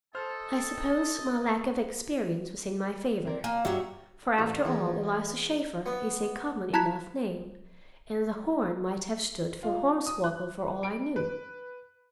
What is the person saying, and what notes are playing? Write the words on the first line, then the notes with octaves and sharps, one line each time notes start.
I suppose my lack of experience was in my favor, for, after all, Eliza Shaeffer is a common enough name, and the "Horn" might have stood for "hornswoggle," for all I knew.
A4 C5 D#5 A5 F6
C4 A#4 D5
A#3 G#5
G2 F#3 F#4 G4 E5
A1
E2
B3
E4 A5 A#5 F#6 G#6 B6
F4
D#6
F#6
D7
B4